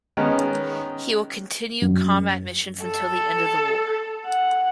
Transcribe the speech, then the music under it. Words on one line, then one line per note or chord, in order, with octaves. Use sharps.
He will continue combat missions until the end of the war.
D#3 G#3 B3 C#4
F#2
A4
F#5